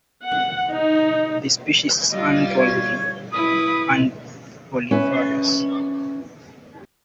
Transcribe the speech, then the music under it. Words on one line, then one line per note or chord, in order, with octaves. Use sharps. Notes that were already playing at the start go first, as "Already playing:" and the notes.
This species is univoltine and polyphagous.
F#5
D#4
G3 F4 D#5
C#5
E4 B4 D#6
C#4 B4 E5